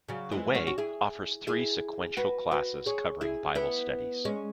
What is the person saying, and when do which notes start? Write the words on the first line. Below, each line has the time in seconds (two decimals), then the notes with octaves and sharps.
The Way offers three sequential classes covering bible studies.
0.08 C#3 F#3
0.31 E3 G#3
0.55 C#4 F#4
0.67 F#4
0.78 E4 G#4
1.47 E4 G#4
2.17 F#4 B4
2.51 F#4 B4
2.86 G#4 C#5
3.21 E4 G#4
3.55 B3 E4
4.25 G#3 C#4